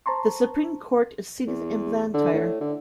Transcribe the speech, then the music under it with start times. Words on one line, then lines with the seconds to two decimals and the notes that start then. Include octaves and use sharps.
The Supreme Court is seated in Blantyre.
0.06 C5 A5 A#5 C6 C#6
1.47 E2
2.14 D3
2.33 A2
2.60 D3